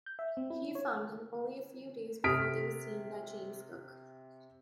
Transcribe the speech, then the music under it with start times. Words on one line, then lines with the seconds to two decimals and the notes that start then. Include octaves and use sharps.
He found them only a few days before they were seen by James Cook.
0.06 G6
0.19 E5
0.37 C4
0.50 E4
0.75 C#5
2.24 C3 D#6 F6 B6 D7